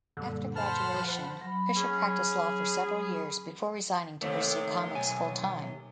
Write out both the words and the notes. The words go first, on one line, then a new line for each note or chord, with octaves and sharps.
After graduation, Fisher practiced law for several years before resigning to pursue comics full-time.
F#2 A#2 D3 G3
C5 F#5 A5 B5 F6
F3
F#3 B5
C#4 G#4
D#2 C3 A3
B1 G#5